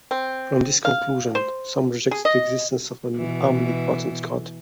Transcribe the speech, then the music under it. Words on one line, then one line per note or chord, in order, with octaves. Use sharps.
From this conclusion, some reject the existence of an omnipotent God.
C4
F5
C5
G#4
D#5
B2 E3